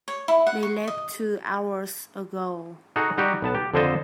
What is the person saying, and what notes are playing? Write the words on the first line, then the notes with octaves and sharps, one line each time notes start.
They left two hours ago!
C#5
E4
F#5
C#6
D#5
D#4 F#4 G#4 A4
G3 D#4 F#4 G4
B1 B3 A5
G4
F2 D3 A4 C5 D#5 A5